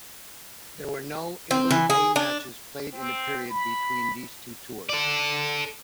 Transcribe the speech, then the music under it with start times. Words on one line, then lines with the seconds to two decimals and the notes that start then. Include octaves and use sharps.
There were no England A matches played in the period between these two tours.
1.51 C4
1.71 E3
1.90 G#4
2.16 D4
2.93 C4
3.50 B5
4.89 A4 D5